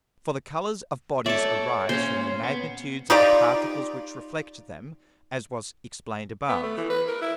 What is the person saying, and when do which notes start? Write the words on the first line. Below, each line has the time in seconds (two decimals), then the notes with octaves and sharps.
For the Colours of Bodies arise from the Magnitudes of the Particles which reflect them, as was explained above.
1.26 A4 C#5 D5 E5 A5
1.89 A#2 C#4 C5
2.43 B3
3.10 D#4 F4 G4 D5
6.49 B3
6.63 A3
6.77 E3
6.90 B4
7.08 A#4
7.22 E4